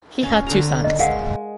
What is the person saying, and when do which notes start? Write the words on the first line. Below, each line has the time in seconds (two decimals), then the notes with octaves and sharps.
He had two sons.
0.23 C#4 F5
0.46 D3 C5 A#5
0.84 D#5
0.99 G#3 A#4 F5 F#5